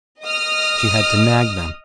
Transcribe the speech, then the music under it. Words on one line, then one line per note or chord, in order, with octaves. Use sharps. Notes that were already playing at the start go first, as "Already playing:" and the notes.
She had to nag them.
D#5 D#6 F6